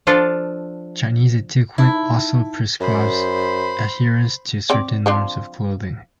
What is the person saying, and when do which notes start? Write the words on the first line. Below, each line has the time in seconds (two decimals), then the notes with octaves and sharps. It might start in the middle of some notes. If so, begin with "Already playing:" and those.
Chinese etiquette also prescribes adherence to certain norms of clothing.
0.07 F3 D4 F4 A4
1.78 D#4 E4 A5
2.80 F#2 C5 B5
4.70 C4 D5 G5
5.06 F3 C4 D4